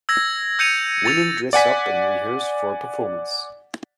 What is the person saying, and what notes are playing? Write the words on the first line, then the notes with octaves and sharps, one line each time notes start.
Women dress up and rehearse for a performance.
E6 G#6 A#6
E6 G6 C#7 D#7 F7
A6 F7
D5 F#5 G#5 B6